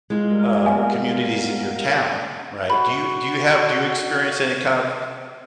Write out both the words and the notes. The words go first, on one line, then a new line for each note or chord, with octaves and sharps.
um, communities in your town, right? Do you do you have do you experience any kind of,
G#3 F4
G3 A#4
A#3 B3 G#5
F#4 B5